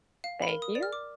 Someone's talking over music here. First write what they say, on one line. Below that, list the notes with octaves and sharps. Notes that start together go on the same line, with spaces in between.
Thank you.
F5
B5
A#4
D#6
D5
F6
D6